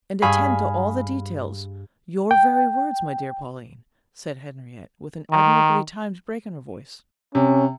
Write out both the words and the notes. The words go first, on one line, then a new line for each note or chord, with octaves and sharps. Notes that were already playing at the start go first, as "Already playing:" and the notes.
"And attend to all the details--your very words, my dear Pauline," said Henriette, with an admirably timed break in her voice.
G2 G#4 F5 G#5 B5
G5
D#3
C3 C#4